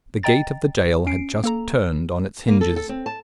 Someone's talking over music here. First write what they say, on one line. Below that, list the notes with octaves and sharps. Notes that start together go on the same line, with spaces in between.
The gate of the jail had just turned on its hinges.
D#5 G5 A#5 A6
C#4 C7 D7
A#3 A4 A#5
A#3
A4
A4
C4
A5